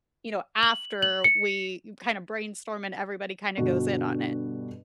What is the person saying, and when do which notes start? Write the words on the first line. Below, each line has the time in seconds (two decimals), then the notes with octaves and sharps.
you know, after we kinda brainstorm and everybody kinda goes in on it.
0.63 F#7
1.02 F#7
1.24 C#7
3.57 G2 B2 D3 F#4